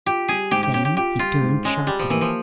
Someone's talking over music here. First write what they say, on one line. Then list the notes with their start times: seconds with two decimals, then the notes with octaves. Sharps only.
Then he turned sharply.
0.06 F4 G4
0.28 G3 G#4
0.51 G#2 G4
0.63 G4
0.74 C#4 G4
0.85 G4
0.97 F4 G4
1.19 G3 F4
1.42 G#2
1.65 G#3 C#4
1.87 G3 G4
1.99 F3
2.10 E3 A#3
2.21 F3